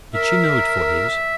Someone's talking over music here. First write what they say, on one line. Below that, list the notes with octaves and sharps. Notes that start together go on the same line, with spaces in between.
Did she know it for his?
A#4 E5